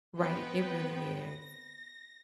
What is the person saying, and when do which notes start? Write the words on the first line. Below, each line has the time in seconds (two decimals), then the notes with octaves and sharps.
Right, it really is,
0.19 B3 C4 B4 D#5 G5
1.25 A#6